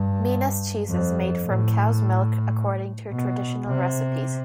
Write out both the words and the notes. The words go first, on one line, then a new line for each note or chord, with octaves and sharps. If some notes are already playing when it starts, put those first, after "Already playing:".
Minas cheese is made from cow's milk according to traditional recipes.
Already playing: G2
F2
A2
B2
C3